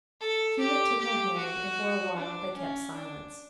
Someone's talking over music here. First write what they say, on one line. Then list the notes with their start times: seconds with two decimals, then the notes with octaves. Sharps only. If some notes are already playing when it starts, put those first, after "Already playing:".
Hewett took her hand, and for a while they kept silence.
0.21 A4
0.60 G4
0.99 G4
1.38 F#4
2.17 D4
2.55 C#4
2.95 D4